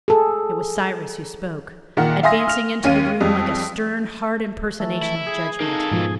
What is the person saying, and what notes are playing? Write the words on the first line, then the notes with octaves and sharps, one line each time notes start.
It was Cyrus who spoke, advancing into the room like a stern, hard impersonation of judgment.
G#4 A4
A#2 D#3 A#4 F#5
E5 F5 G#5 C6 D#6 A#6
F6 F7
D#2 C#4 F5 D#7
F2 G3 G#3
E3 A3
E4
G#4
A#3 D#4 A4
G#2 B2 F3